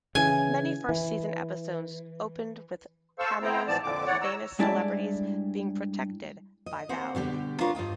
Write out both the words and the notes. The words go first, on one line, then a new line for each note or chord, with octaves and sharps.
Many first season episodes opened with cameos of famous celebrities being protected by Vallery.
C#3 E3 G#5
E3
A4 C5 F5 C#6 E6
B3 C4 E4 C5 G5 A#5
G#2 E3 F3 B3 D5 A5
F2 A#2 D3 D6
E2 A2 C#5 D5 F#5
C#5 A#5 E6
G2 G#3 E4 D5 A5
D#5
A#3 C4 C5 F#5
B2 D3 G3 G4
D4 F4 A#4 C#5
G2 F4 D#5 G5